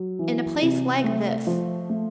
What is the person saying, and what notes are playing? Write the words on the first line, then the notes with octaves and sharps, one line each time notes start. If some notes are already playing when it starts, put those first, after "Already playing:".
"In a place like this."
Already playing: F#3
E3
C3
A3
F3
A3